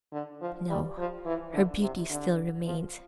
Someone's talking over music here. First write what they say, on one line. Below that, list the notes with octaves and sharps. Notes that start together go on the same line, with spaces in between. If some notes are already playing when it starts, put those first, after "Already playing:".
No! her beauty still remained.
D3
F3
G3
F3
E3
D3
C3
D3
F3